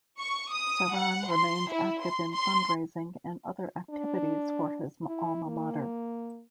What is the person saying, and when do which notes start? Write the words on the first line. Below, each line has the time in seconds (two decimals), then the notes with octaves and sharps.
Sarhan remains active in fundraising and other activities for his alma mater.
0.20 C#6
0.51 D#6
0.93 F#5
1.29 C6
1.70 E4
2.02 C6
2.33 C6
3.90 D4
5.07 E4
5.46 A#3